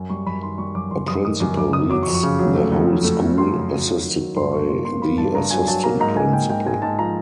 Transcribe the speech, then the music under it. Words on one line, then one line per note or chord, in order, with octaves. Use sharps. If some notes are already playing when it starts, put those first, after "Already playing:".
A Principal leads the whole school assisted by the Assistant Principal.
Already playing: F#2
G3 C#6
F#2 B5
D#3 C6
G3 C#6
F#2 D6
F#2 C6
F#2 D#6
D#3 D#6
F#2 D6
F#2 D6
F#2 D#6
F#3 D6
C#6
F2
C#6
C#3
F#3
A3
F2
F#3
A3
A3
F#3 C6
F#3
F#3
F#3
D#3
F#3
G2 C6
A#3 C#6
A#3 C6
A#3 C6
A#3 B5
G2 A5
G2 A#5
F#3 G#5
F#3 A5
A#3 A#5
G#2 A#5
G#2 G#5
A#3 G5
G#2 G5
G#2 G#5
G#2 A5
F3 A#5